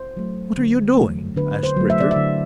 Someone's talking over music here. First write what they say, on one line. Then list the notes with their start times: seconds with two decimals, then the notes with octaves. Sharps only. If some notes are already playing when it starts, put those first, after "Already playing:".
"What are you doing?" asked Richard.
Already playing: C5
0.17 F#3 A3
0.57 D3
0.97 F#3 A3
1.36 D3 B4
1.63 C5
1.77 F#3 A3
1.90 E5
2.00 D5
2.11 E5
2.16 D3